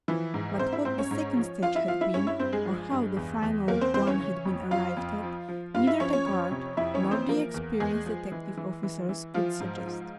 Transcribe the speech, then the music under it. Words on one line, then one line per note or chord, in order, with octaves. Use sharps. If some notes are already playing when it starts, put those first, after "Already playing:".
But what the second stage had been, or how the final one had been arrived at, neither the guard nor the experienced detective officers could suggest.
E3 F3 E4
G#2
G#2 C4 C5
E4 E5
G#2 C4 C5
C#4 C#5
G#2
F3
F3 F4 F5
E4 E5
F3 F4 F5
E4 E5
G2 C#4 C#5
E4 E5
G2 C4 C5
G#3 G#4
F3
G2
E2
E2
E2 A#3 A#4
C4 C5
E3 C4 C5
C#4 C#5
C#3
F2
F2 F4 F5
F2
F3
F3
G2 F4 F5
E4 E5
F3 C#4 C#5
C#4 C#5
F2
C3
F2 E4 E5
C#4 C#5
E3
C4 C5
F3 A#3 A#4
E2
E2 G#3 G#4
F3
E3
E3
E3
E3
F3 F4
G#2
F3